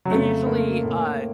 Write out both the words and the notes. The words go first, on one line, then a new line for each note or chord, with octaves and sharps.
it usually, uh,
F#3
F2 C#3 A3
A#3
A2